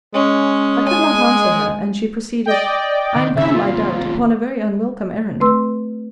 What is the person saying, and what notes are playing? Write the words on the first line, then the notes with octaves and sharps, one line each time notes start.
I could not answer her, and she proceeded--I am come, I doubt, upon a very unwelcome errand.
G#3 C#4
G#5
D5 D#5 G5
D#3
D#2 C#3 C4 E5
F4
A3 C4 B4 C6 E6